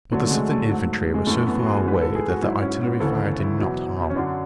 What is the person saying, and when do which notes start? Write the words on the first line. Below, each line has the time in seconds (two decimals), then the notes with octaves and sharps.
But the Southern infantry were so far away that the artillery fire did not harm.
0.12 D2 D3 F#3 A3
0.25 A3
0.31 G#3
0.51 A3
0.69 G#2 F#3
1.14 G#3
1.27 F#2 E3 A3
1.46 B3
1.59 F#4
1.66 G#4
1.85 G#2 E3 B4
2.01 A4
2.15 G#4
2.29 F#4
2.42 G#2 F#3 E4
2.62 C#4
2.82 B3
3.00 D2 C#3 E3 A4
3.39 E4
3.58 E2 B2 F#3
4.10 C#4
4.15 F#2 D3 F#3 D4